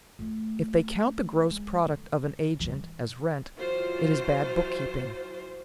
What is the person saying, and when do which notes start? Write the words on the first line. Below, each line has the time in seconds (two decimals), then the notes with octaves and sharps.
If they count the gross product of an agent as rent, it is bad bookkeeping.
0.19 A3 F4
1.51 G#3
1.86 D3
2.60 E3 G3
3.58 E3 F#3 F4 C5